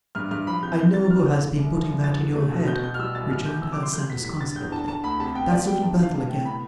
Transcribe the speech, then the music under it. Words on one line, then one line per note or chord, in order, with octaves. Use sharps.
'I know who has been putting that in your head,' rejoined her son disconsolately; 'that's Little Bethel again.
G2 F6
G2 F6
F3 B5
C3 G6
E3 G6
E3 A6
F2 F6
E3 G6
A3
C2
F3
G2
E2 A6
D3
A3
B2
B2 G6
B2 G6
F6
G3 E6
C2 A6
A2 F6
G3 G6
C3 E6
D6
F3
C6
A3 G6
E2 B6
G3 B6
D3 A6
E2 G6
D3 A5
D3 A5
D2 B5
C3 A5
B3 G5
B3 D5
B3 G5
G2 A5
A5
G2 F5
A2 A5
A2 G5
B3 B5